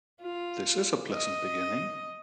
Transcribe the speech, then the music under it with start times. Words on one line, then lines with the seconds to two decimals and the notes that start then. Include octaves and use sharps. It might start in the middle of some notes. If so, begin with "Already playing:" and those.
This is a pleasant beginning.
0.21 F4
1.11 D#5